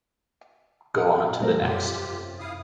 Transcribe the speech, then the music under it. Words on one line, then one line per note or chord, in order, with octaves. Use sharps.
Go on to the next.
G3 A3 C4 A#4
F#2 C3 C#4 F4 G4
E4 F5 D#6